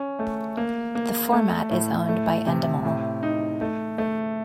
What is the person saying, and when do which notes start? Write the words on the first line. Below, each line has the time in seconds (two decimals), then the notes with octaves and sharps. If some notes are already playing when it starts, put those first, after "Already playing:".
The format is owned by Endemol.
Already playing: C#4
0.19 A3
0.57 A#3
0.95 A#3
1.32 A3
1.71 A2
2.09 A3
2.47 C3
2.85 A2
3.23 D#4
3.61 A3
3.98 A3